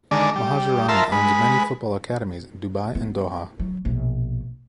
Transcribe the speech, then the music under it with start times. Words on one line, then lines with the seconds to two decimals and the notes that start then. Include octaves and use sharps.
Mohajerani owns many football academies in Dubai and Doha.
0.11 D3 D#3 G#3 D4
0.36 G3
0.89 F4 A#4 E5 A5 C6
1.12 G#3 B4
2.95 B3
3.59 F#3
3.85 A#1 B2